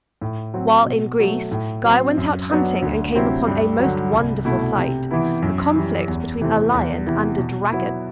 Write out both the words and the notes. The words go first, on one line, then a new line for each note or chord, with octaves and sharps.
While in Greece, Guy went out hunting and came upon a most wonderful sight, a conflict between a lion and a dragon.
A2
F#3 C4
B2
F#3 A3
A2
F#3 C4
F#2
F#3 B3 D4
D2
C3 F#3 C4 E4
G2
D3 F#3
C2
B2 A3 E4
C3
E3 B3 E4
F#2
E3 G3
E2
C3 E3 A3 C4
E2
C3 E3 B3 E4
B2
F#3 B3 E4